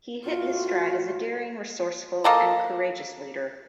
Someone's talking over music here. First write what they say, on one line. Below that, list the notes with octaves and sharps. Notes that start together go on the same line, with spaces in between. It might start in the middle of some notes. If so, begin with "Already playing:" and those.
He hit his stride as a daring, resourceful and courageous leader.
A2 F4 F#4
A#3 A4 D#5